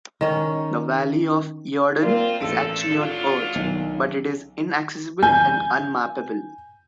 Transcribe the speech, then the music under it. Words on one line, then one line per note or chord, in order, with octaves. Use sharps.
The valley of Eodon is actually on Earth, but it is inaccessible and unmappable.
D#3 C#4
A#3 C4 F4 A#4 D5
A1 E2 G2 A4 E6 D7
F#3 D4 F4
B1 D#3
G#5 G6